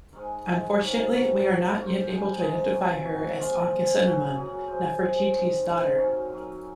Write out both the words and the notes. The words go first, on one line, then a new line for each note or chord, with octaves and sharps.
Unfortunately we are not yet able to identify her as Ankhesenamun, Nefertiti's daughter.
G#2 D#3 G#3 A#4
G#2 D#3 G#3 G#4
C3 F#3 A#4
C3 F#3
G#2 F#3
G#2 F#3 A#4
C5
A#4
C3 F3 G#3
C3 F3 G#3 G#4
C3 F#3
C3 F#3 F#4
A#2 F3 G#3 F4
A#2 F3 G#3
F#2 C#3 F#3 F#4
F#2 C#3 F#3 G#4
F#2 F3 G#3 C5
F#2 F3 G#3
C3 D#3 G#3
C3 D#3 G#3 A#4
C5
A#4
F#2 D#3 F#3 C#4
F#2 D#3 F#3